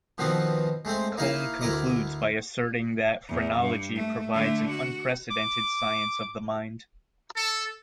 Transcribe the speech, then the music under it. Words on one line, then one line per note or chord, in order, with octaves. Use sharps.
Combe concludes by asserting that Phrenology provides an unprecedented science of the Mind.
B2 D#3 F3 B3 C4
G#3 A3 C4 C5
A#3 D#4 E4 A#4 F5
D2 E4 A#4 D#5 D6
E2
G2
A3
D3 A3
F#4
D6
A4